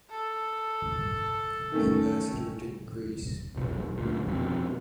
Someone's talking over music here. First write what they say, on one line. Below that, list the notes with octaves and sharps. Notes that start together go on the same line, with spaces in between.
Ambassador to Greece.
A4
D#3 A3 C#4
F1 B1
D2 A#2
F2 B2